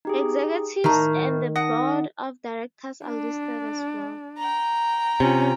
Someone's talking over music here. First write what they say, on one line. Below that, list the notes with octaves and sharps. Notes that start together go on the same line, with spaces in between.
Executives and the board of directors are listed as well.
D#4 G4 G#4
A2 D#3 A#4 A#5
F#5 D#6 A#6
D4
G5 A#5
C3 C#4 F4